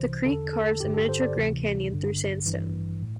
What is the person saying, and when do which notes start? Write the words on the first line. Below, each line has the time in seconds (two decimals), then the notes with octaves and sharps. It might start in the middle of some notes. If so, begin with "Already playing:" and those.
The creek carves a miniature "Grand Canyon" through sandstone.
Already playing: C2 C3 E3 C5
0.25 E2 D3 A4
0.53 A4
0.80 G1 G2 D3 G4
0.94 A4
1.09 C5
1.22 D5
1.35 D2 C3 E3
1.91 A1 G2 D3
2.46 A1 G2 E3
3.03 A2